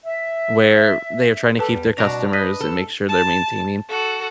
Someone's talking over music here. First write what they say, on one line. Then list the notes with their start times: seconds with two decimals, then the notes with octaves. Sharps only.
where they're trying to keep their customers, and make sure they're maintaining
0.04 E5
1.59 G3 G4 A4 B4 A5
1.72 E2
1.98 C2 B2 D4 F#4 A#5
2.33 B4 D#5 B6
2.61 G#2 C3 A4
3.09 A5
3.89 F#4 A4